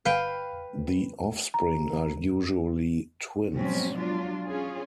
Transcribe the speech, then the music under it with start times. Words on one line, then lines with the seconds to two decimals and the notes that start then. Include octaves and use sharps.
The offspring are usually twins.
0.05 G1 B4 F5 G5
1.54 A#5
3.54 G#2 B2 F3 F#3 C4 C#4
3.97 F#3 D4 F4
4.47 C#4 F4 G#4